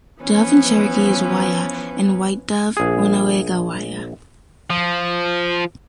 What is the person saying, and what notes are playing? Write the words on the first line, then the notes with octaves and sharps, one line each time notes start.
Dove in Cherokee is "waya" and white dove "unega waya".
E3 F3 B3 C#4 B4
A#1 G#4
F3